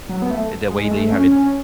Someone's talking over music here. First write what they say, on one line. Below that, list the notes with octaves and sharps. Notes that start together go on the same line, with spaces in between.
The way that you have it
F#3
B3
A3
G#3
G#3
A3
C#4
C#4